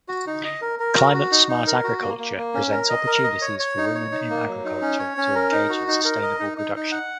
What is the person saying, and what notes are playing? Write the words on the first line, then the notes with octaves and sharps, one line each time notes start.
Climate Smart Agriculture presents opportunities for women in agriculture to engage in sustainable production.
F#4
D#4
D#5
A#4
A#4
F#4
F#4
D#4
D#4
A#4
F#4
A#3
A#3
A#3
C#4
A#4
D#5
A#4
D#5
C#5
C#5
D#4
C#5
D#4
A#3
F#3
D#4
C#4
C#5
C#4
A#4
D#4
F#4
D#4
A#4
D#5
D#4
D#4
D#4
F#5